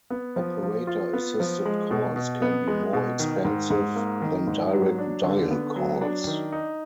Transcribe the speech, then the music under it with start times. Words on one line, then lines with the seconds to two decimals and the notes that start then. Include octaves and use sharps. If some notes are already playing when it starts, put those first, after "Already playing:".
Operator-assisted calls can be more expensive than direct dial calls.
0.10 B3
0.36 F3
0.63 F3
0.87 F4
1.13 B3
1.40 F3
1.65 G#3
1.91 B2
2.16 B2
2.42 B3
2.67 G#3
2.93 B2
3.19 D#3
3.45 G#2
3.70 G#2
3.96 A#3
4.22 D#3
4.47 G#2
4.73 F#3
4.98 D4
5.24 D3
5.51 B3
5.76 F#3
6.01 D4
6.27 D#3
6.52 D#4